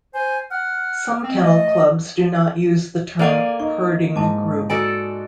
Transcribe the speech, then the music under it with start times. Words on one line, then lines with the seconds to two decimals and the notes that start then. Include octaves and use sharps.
Some kennel clubs do not use the term "Herding Group".
0.14 C5 G#5
0.51 F#5 F6
1.24 C4
1.40 A3 D#5
3.19 A#3 A4 D5 F5 F#5 G#5 D6
3.60 D#4 C#6
4.16 G#2 E4 A5 D6
4.70 F#4 A4 D5 G#5 A#5 D#6